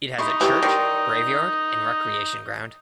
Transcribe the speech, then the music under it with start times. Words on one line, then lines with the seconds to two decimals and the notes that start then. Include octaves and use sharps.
It has a church, graveyard and recreation ground.
0.18 D#4 E4 C6 C#6
0.41 E3 G4 C#5 A5
0.63 D#3 D5 C6 C#6